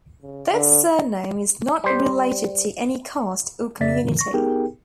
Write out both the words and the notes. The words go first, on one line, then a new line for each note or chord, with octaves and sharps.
This surname is not related to any cast or community.
C#3
D3
G3 C5
F2 C#3 D5 E5 A6 B6
F#2 A#2 D3 D#3 F3
C#6 A#6
B3 D#4 G4 G#4 A#4 G5